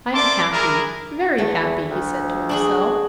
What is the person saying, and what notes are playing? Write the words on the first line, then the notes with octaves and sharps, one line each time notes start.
"I'm happy, very happy!" he said to himself.
A3 A#3 D5 A5 C6 D6
D4 E4 G#4 A#4
E2 A3
D2
D4 F#4 G#4